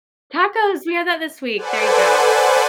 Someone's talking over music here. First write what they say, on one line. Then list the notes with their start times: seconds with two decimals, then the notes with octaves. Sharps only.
Tacos, we had that this week, there you go.
1.57 A4 B4 C5 D5 F#5 G#5